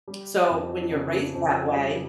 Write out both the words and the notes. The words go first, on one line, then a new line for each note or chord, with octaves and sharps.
So, when you're raised that way,
G3
F2
C#3
F2
G3